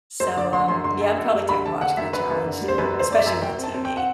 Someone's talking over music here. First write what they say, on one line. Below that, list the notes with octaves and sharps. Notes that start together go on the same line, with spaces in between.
So, um, yeah, I'm probably technologically challenged and especially with the TV.
F#2 C5
D3 D5
D3 C6
F#2 C6
D3 C6
F#2
F#2
G3
D3 B5
D3 A5
D3 F#5
F#2 E5
F#2 B4
F#2
D3
G3
C5
F#2 B4
F#2
C5
F#2 D5
E5
F#2
F#2 G5
C4
A5
C4
G5
F#5